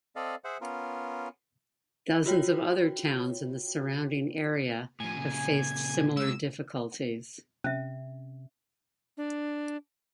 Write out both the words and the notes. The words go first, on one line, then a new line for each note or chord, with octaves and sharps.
Dozens of other towns in the surrounding area have faced similar difficulties.
C4 A4 D5 D#5 F5
G#4 C5 E5 F#5
B3 C#4 F4 A#4
F4 F#4 C#5 G5
A2 F3 G#5
A#2 C#3
C3 G#3 E6
C3 C#4 E5
D4